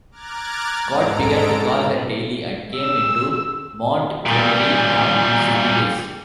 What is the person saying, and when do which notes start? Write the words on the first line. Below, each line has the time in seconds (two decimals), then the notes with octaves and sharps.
Scott began to call her daily, and came into Montgomery on his free days.
0.11 A#5 D6 F6 F#6 G#6 A6
0.84 G#2 G#3 A4 A#5 D7
2.75 E6
4.26 A#2 G3